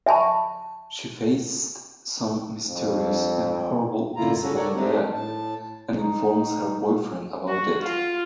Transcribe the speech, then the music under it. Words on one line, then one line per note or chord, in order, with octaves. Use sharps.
She faced some mysterious and horrible incident there and informs her boyfriend about it.
E5 G#5 A5 B5 C#6
F2
F#2 D3 A#3 E4 F4 A#5
C#3 C#4 F#4 A4
A4 A#4 C#5 D5 F#5
D#3 A3 C4 D4 D#4 G4
A2 A5
D#4
F#4
F4